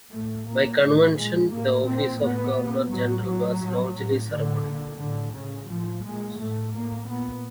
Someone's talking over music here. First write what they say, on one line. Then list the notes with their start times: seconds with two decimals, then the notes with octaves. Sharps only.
By convention, the Office of Governor-General was largely ceremonial.
0.12 A2 A3
0.46 A#2 A#3
0.81 A2 A3
1.16 A#2 G#3
1.51 A2 A#3
1.85 A#2 C4
2.21 A2 B3
2.56 A#2
2.90 A2 F#3
3.25 A2 F#3
3.60 A2
3.95 A2
4.30 A2 D3
4.65 A#2
4.99 A2 D3
5.34 A2 C#3
5.69 A2 F3
6.04 A#2 G#3
6.39 A2 A3
6.74 A2 A#3
7.08 A#2 B3